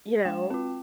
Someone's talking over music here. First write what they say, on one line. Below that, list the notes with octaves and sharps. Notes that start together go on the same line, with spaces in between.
you know,
G#3 G5
C4 F4